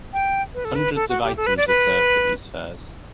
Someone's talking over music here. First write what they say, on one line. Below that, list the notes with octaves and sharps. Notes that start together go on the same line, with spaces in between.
Hundreds of items are served at these fairs.
G5
B4
A4
B4
A4
F#4
G4
A4
B4
D5
B4